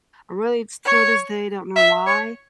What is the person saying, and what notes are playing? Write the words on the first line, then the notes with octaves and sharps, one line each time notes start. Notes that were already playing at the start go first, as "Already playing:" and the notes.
Really, it's till this day, I don't know why,
C#5
E5
C#5